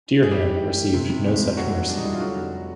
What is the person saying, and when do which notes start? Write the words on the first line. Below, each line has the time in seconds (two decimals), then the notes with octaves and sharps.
Dereham received no such mercy.
0.23 G#4
0.31 E3 G3 G4
0.47 E3
0.64 E3
0.78 A3
0.94 C3
1.10 C3
1.26 E2
1.42 F1
1.57 D#2 F#3 F#4
1.73 E3
1.88 G3 D4
1.97 D#4
2.04 G3 E4
2.13 F4
2.20 D3 F#3 F#4
2.36 F1